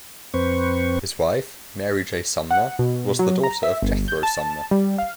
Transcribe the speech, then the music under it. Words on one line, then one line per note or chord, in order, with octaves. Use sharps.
His wife, Mary J. Sumner, was the daughter of Jethro Sumner.
F2 C4 B4 C5 C#6
F#5
B2
F#3
A#5
E5
G1
G6
A5
G3
F5